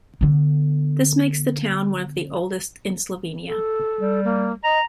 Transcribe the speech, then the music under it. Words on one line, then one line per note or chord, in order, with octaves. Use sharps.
This makes the town one of the oldest in Slovenia.
D3 B3
A4
G3
A#3
D#5 A#5